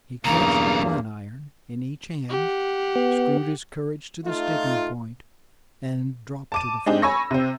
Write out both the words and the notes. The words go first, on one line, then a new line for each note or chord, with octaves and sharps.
He clutched a flat-iron in each hand, screwed his courage to the sticking point, and dropped to the floor.
B1 E2 G2 C#3 A#3 A#5
G4 F#5
B3
A3 D#4 F4
A5 D6 D#7
G#3 C4 D4 D#4 G4
C#5 G#5 B5 C#6 E6 A#6
C3 C4